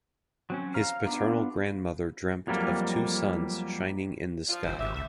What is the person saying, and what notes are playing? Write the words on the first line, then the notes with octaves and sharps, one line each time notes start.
His paternal grandmother dreamt of two suns shining in the sky.
F#3 C4 C#4
F5 A#5 F6
B3 D4 F4
F2 F#3 G3 A3 A#3
F3 D4 F4
G1 C#3 E4 C5
G#1 F#2 G4 E5
C#2 E5